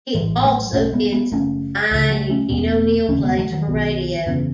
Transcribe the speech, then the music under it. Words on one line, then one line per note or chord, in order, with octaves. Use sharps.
He also did some fine Eugene O'Neill plays for radio.
A1 G#2 E3 G#3
F#3 A3
B1 A2 A3 C#4
G#3 B3
G#3 B3
F#1 F#2 C#3 A3 C#4
C#2 C#3
F#3 A3
A3 C#4
E1 E2 B2
E1 D#2 C#3 A3 C#4
G#3 B3
F#3 A3
D#3 F#3
B1 B2
F#1 E2 C#3